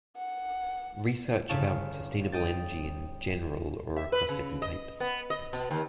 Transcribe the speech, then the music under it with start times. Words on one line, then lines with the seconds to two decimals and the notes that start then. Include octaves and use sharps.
Research about sustainable energy in general or across different types.
0.17 F#5
1.49 G1 C#3 E4 F5 A5 C#6
2.32 D#5 G5 A6
3.96 E5
4.12 B4
4.29 C#3
4.62 D#5
5.00 B3
5.30 D#5
5.53 B2
5.71 D#2